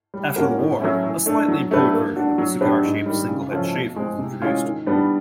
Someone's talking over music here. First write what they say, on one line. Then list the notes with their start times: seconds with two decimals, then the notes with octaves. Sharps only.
After the war, a slightly improved version of the cigar-shaped single-head shaver was introduced.
0.14 G3
0.36 A#3 C#4 F#4 A#4
0.59 A2
0.80 F#3 A3 C#4 E4
1.03 E3
1.26 A3 D4
1.48 F#3
1.71 A3 D4 G4 B4
1.93 A#3
2.16 D4 F#4
2.38 F#3
2.61 B3 D4 G4 B4
2.83 G#2
3.06 D#3 G3
3.29 C#3
3.51 F3 A3 C#4 F4
3.74 B2
3.96 G#3 C4
4.19 C3
4.42 E3 G#3 C#4 F4
4.64 D#3
4.86 G3 B3 D4